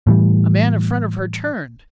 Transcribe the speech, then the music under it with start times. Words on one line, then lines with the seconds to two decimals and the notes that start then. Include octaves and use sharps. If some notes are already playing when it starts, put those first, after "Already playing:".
A man in front of her turned.
0.07 A2 E3 G3